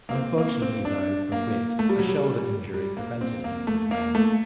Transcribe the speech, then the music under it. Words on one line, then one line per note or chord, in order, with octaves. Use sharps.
Unfortunately though for Witt, a shoulder injury prevented him from playing.
A#3
C4
A#3
C4
D4
A#3
A3
G3
F#3
G3
G3
A#3
C4
A#3
A3
A#3
A3